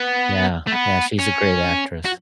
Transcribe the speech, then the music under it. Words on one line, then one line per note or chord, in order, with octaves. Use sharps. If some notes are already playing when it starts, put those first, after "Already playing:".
Yeah, yeah, she's a great actress.
Already playing: B3
A3
B3
C#4
F#4